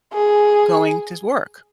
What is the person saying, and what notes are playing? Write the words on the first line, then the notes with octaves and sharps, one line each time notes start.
going to s work.
G#4